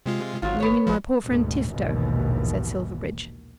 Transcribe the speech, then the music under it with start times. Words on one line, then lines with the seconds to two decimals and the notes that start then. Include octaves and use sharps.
"You mean my poor friend Tifto," said Silverbridge.
0.06 C3 G#3 F4
0.42 G#1 F#3 F4
0.60 B3 C#5
0.87 A1 F3
1.23 D2 G#2 B2
1.71 A#1 D#2 G#2 B2 E3